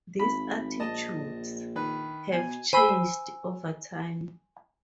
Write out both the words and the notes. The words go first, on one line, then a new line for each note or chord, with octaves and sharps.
These attitudes have changed over time.
G#1 B5
A#1 D#5 A5
D#3 B4
B2 G#5
C5 G#5 B5 C6 E6